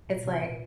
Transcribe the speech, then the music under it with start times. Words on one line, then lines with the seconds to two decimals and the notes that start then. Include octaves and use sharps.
It's like
0.08 A#2
0.25 C3
0.41 A#2